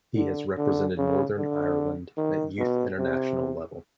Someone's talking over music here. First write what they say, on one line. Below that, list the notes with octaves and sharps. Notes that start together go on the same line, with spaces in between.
He has represented Northern Ireland at youth international level.
D3
D3
C#3
D3
D#3
B2
C3